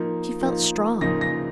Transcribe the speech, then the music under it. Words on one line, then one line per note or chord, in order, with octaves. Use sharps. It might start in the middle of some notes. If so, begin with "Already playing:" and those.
She felt strong.
Already playing: F3 A#3 D#4
F3 A#3 D#4
C#3 F3 A#3 D#4 A#6
A#6